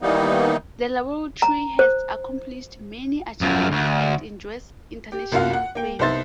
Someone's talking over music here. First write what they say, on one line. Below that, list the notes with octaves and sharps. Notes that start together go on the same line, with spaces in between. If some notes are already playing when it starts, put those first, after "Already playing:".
The Laboratory has accomplished many achievements and enjoys international fame.
D#3 E3 G3 A#3 B3 D#4
A#5
C5
F#2 F3
D2
G4
C2 F#2 A#3 F4 F#4 F5
F#5
A#3 G5
C2 B3 D#4 C5 E5 A6